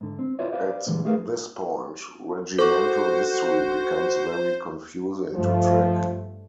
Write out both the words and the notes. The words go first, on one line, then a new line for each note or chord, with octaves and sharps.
At this point, regimental history becomes very confusing to track.
G#2 D3
C4
E4 F4 B4 C#5 D5 E5
G4 B4 C5 D5 D#5 F5
A#2 D3 E3 G3 G#3
A3 G4 G#4 A#4 B4 F5
F#4 A4 C5 C#6
G2 F3 A3